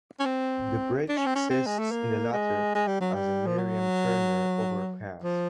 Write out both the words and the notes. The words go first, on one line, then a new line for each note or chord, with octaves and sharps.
The bridge exists in the latter as the Miriam Turner Overpass.
C#4
C4
D4
C#4
C4
C#4
C4
G#3
A3
A#3
G#3
G#3
G3
F#3
G3
F3
F#3
F3